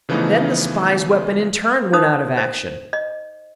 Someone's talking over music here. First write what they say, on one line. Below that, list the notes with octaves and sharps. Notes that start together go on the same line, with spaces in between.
Then the spy's weapon in turn went out of action.
C#3 E3 F3 A3 B3 D#4
D#4 A#4 C5 D#6
C5
D#5